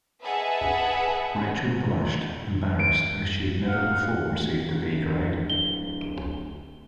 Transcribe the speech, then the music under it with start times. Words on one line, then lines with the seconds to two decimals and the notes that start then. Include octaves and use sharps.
Rachel blushed, embarrassed, as she had never before received a B grade.
0.23 G#4 B4 D#5 E5 F#5 A5
2.79 D7
3.67 F5 F#5
4.91 D1
5.50 G7